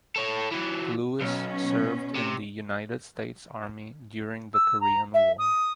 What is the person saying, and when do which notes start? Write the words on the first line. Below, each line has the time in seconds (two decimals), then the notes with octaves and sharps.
Lewis served in the United States Army during the Korean War.
0.16 A4 C#5
0.51 E3 F#3
1.20 B1 B2 C#4
2.16 C3
4.54 E6
4.81 A#5
5.14 E5
5.39 D#6